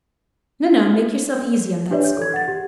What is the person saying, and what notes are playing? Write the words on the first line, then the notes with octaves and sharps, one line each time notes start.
"No, no, make yourself easy on that score."
D4 G4 B4 C#5 D5 E5
G6
A4 G#6
F#5 A6
G4